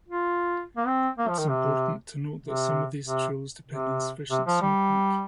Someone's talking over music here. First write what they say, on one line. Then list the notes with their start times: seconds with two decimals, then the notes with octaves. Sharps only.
It is important to note that some of these trails depend on sufficient snowpack.
0.08 F4
0.77 A#3
0.87 C4
1.18 A#3
1.28 F3
1.39 D#3
1.49 C3
2.43 C3
3.05 C3
3.68 C3
4.31 C3
4.47 F3
4.62 G3